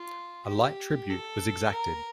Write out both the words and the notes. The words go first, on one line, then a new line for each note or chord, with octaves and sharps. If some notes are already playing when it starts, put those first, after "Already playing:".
A light tribute was exacted.
Already playing: F4
G4
A4
A#4